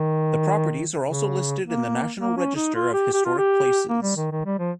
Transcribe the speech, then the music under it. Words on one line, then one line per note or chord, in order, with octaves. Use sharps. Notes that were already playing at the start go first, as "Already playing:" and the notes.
The properties are also listed in the National Register of Historic Places.
Already playing: D#3
C#3
A#3
A#3
C#4
D#4
F4
G4
G4
F4
G4
A#3
G3
D#3
D#3
G3
F3